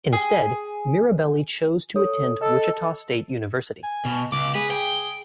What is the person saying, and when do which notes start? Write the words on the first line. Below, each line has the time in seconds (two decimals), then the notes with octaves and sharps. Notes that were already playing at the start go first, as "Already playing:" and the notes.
Instead, Mirabelli chose to attend Wichita State University.
0.13 G#4
1.95 A4 C#5 D#6
2.41 A4 D#5 E6
3.83 G#5
4.05 B2
4.32 C#2 D6
4.55 G#4 B4
4.71 G5